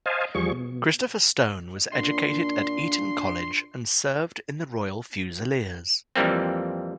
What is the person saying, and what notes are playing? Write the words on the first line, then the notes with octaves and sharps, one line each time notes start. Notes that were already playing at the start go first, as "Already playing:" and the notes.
Christopher Stone was educated at Eton College and served in the Royal Fusiliers.
C5 D#5 F5 G#5 A5
E2 F3 G3 G#4 C#6
B2
A#2 D4 C6
F2 E3 G3 A#3 C4